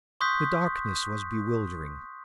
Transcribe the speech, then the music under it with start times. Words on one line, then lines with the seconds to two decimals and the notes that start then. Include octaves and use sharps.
The darkness was bewildering.
0.21 C6 C#6 D#6 F#6 G6 B6